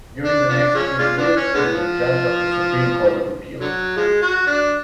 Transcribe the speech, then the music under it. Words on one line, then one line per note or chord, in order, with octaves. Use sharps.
During the-next few years he was judge of the supreme court of appeal.
D4
F3 B3 D4
F3 G#3 C#4
G#3 D4 F4
F3 B3 D4
C#4
D3 G#3 B3
F3
D3 F#3
F3 G#3
F#4
D4